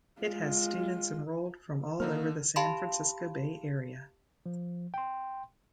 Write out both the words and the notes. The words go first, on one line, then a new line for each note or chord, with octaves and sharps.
It has students enrolled from all over the San Francisco Bay area.
G#3 F4
D3 A#3 D#4 F6
G4 F5 A5 B5 C6
F3
G5 C6